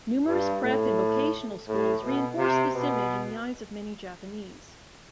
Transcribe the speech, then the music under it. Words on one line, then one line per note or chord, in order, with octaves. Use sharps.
Numerous prep and vocational schools reinforce this image in the eyes of many Japanese.
G2
A2
A2
B2
C3
B2